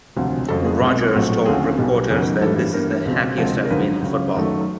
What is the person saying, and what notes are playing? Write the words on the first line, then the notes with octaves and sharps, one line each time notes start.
Rodgers told reporters that this is the happiest I've been in football.
E1 D2 C3 F3
F2 C#3 F#3 A4
G#4
B1 B2 G#3 C4
A#1 A2 F#3 A3 C4
D2 C#3 F3 A3 C4 G#4
B1 B2 G3 B3
F#1 F#2 D#3 F#3 B3 G#4
A1 G2 E3 G3 A4
G2 E3 G3 B3 A#4
C#2 B2 G#3 C4
D2 C3 F3 G#3 C4
A#4
G#1 F#2 D3 F3 B4
C#2 C#3 F#3
F#2 D#3 F#3 A3